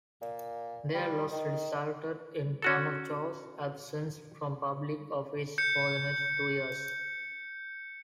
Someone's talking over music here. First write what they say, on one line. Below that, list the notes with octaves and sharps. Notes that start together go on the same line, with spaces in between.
Their loss resulted in Camacho's absence from public office for the next two years.
A#2
G3
D#3
C#4 F#4 A4
G6 C#7